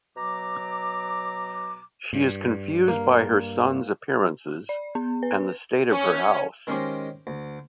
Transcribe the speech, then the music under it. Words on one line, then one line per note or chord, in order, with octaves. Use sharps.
She is confused by her sons' appearances and the state of her house.
B2 F#3 A#5 D6
G2
A#3
D5
B3
B4
C#4
D#3 G#3 C#4 D#4 G4 C5
D2